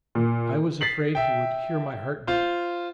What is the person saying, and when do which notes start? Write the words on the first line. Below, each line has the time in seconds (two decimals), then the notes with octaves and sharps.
I was afraid he would hear my heart beat.
0.15 A#2
0.81 A6 B6 C7 F#7
1.15 E5 G5
2.27 F4 C5